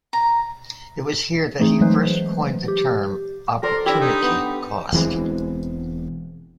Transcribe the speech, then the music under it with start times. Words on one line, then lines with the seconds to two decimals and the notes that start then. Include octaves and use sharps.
It was here that he first coined the term opportunity cost.
0.13 A#5
1.60 E3 A3 C4 D#4 G#4
1.81 E3 F#3 G#3 A3 B4 C5
2.68 G4
3.63 A4 A#4 C5 D5
3.86 D4 E4 G4
4.01 D#4
4.22 B3
4.93 E1 E3 G#3 C4